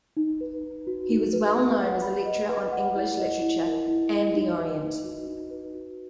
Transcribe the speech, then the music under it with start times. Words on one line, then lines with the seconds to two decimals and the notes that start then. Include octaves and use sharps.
He was well known as a lecturer on English literature and the Orient.
0.17 D#4
0.41 B4
0.64 D#4
0.87 F#4
1.10 D#4
1.33 B4
1.56 B4
1.80 F#5
2.02 B5
2.25 D#5
2.49 B4
2.72 F#5
2.95 E4
3.18 D#5
3.41 E4
3.66 A#4
3.88 E4
4.12 D#5
4.35 D#4
4.58 B4
4.82 D#4
5.04 F#4
5.27 D#4
5.51 B4
5.74 F#4